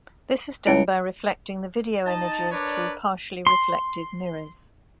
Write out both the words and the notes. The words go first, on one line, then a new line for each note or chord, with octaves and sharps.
This is done by reflecting the video images through partially reflective mirrors.
C#2 E4 C#5 D7
D#4 D#5 A5
D4 A#4 B4 C#5 D5
C6